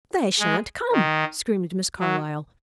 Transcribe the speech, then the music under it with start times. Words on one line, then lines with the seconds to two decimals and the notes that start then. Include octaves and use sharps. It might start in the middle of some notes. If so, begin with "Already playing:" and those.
"They shan't come!" screamed Miss Carlyle.
0.40 G#3
0.92 D#3
2.00 F#3